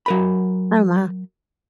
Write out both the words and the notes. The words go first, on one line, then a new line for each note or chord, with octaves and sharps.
Oh, my.
F#3 A#4 B5